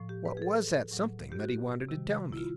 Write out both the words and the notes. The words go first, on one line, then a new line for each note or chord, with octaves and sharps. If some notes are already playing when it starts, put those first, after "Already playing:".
What was that something that he wanted to tell me?
Already playing: A2 F3
G4
B4
G#4
A4
A2 F#3
G4
F#4
C3 D#3 G3
E4
F4